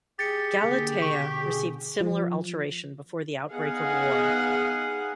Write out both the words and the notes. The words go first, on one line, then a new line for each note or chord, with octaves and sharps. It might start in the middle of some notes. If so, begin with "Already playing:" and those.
"Galatea" received similar alteration before the outbreak of war.
G4 G#4 A6 C#7
D3 A#3
B2 D3 C#6
G#4
F3
B3 D#4 G#4 D#5 F5 F#5